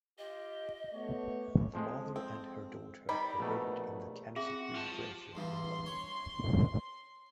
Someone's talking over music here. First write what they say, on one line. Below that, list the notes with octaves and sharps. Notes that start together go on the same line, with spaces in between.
The mother and her daughter are buried in the Kensal Green graveyard in London.
F4 G4 D#5
A3 B3 F#4 G4 C#5
F2 F3 G#3
C4
D#3 G3 B5
A#1 B2 A3
C4 F#4 G#4 E5
C#2 F4 A5
G4
E2 G2 E3 C6
C#5